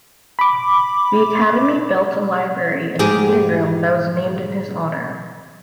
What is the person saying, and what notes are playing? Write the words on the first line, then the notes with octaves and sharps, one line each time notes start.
The Academy built a library and reading room that was named in his honor.
B5 D6
G#2 G4 G#4